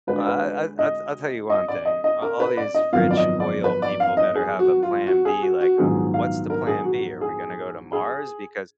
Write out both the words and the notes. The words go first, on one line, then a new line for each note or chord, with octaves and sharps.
I I I t I tell you one thing. A all these rich oil people better have a plan B, like, uh, what's the plan B? Are we gonna go to Mars? Because
D2 D3 G#3 B4
D5
B4
D#5
D#5
D5
D#5
D#5
A#4
B4
D5
D#5
G#1 F#2 F3 B3 F5
D5
D#5
D5
B4
D5
F5
D#5
G#4
F#4
F4
F#4
G#4
F#4
F#4
A#1 G#2 D#3 F#3 B3 G#4
F5
A#4
G#4
F#4
G#4
G#4